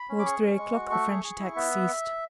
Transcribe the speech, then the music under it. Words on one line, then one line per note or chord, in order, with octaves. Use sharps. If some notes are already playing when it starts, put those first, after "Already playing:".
Toward three o'clock the French attacks ceased.
Already playing: B5
C#4
D6
G#4 C#6
C#4
G#3
F#4
A3 C#6
G#4
G#4
E4
B3 E5